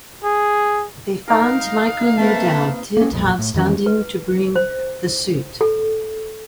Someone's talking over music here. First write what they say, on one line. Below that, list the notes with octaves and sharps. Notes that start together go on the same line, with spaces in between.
They found Michael Newdow "did" have standing to bring the suit.
G#4
D#4 A#4 F5
A3 A#3 C4 B4 E5 A5
A#3 C#4
B1 F2 A#2
A2
F2 D#3 E3 C#4
B4
C5
A4